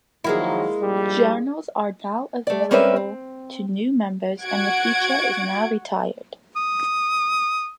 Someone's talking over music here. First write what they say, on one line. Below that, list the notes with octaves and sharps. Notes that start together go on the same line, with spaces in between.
Journals are not available to new members and the feature is now retired.
D#3 F3 F#3 G#3 A#3 E4
A#1 G3
A3 D5
G3 C4 C#4 A#4 B4 E5
C4
F#4 F#5 G#6 D7
D#6